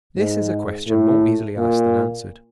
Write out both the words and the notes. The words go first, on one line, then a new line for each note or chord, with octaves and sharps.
This is a question more easily asked than answered.
G#2
A2
A#2